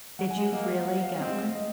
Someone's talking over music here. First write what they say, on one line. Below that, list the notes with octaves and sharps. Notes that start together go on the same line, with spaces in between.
Did you really get one?
F#3 F#5
G#5
G#3
F#5
A#3 D#5
F5
F#5
F#5
F5
C4 D#5
D#5